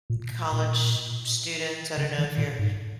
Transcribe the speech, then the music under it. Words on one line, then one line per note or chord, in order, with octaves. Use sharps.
college students I don't know if you're,
A#2
A#2
C#3
D#3
A#2
G#2